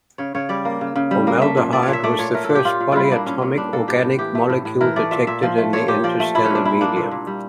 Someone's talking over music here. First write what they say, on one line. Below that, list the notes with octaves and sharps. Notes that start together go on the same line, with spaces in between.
Formaldehyde was the first polyatomic organic molecule detected in the interstellar medium.
C#3 C#5
C#3 C#5
G3 D5
A#3
C#3
C#3
G3
A#3
A3 E5
A#2
A3 D5
C#5
A#2
E5
A3 D5
A#2 C#5
A3 A#4
A#2 A4
G4
A#2 F4
A#2
G3 E4 F4
A#3 D4
A#2 C#4
A#2 C#4
G3 D4
A#3 A4
A2 G4
A2
E3 G4
A3
A2
A2
E3 A#4
A3 D5
A#2 E5
A#2 E5
F3
A3
A#2 C#5
A#2 G4
F3 D5
A3
A#2 E4
C#4
A#2 D4
G3 E4
A#3 D4
A#2
A#2
G3